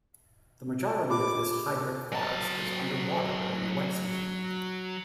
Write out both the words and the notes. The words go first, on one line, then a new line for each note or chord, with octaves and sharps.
The majority of this hydric forest is under water during the wet season.
F4 G4 B5 D6
F#3 A5